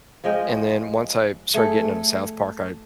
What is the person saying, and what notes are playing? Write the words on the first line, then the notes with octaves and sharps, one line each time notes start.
and then once I started getting into South Park, I
F3 G#3 D#5 G5
A3 G#4 A4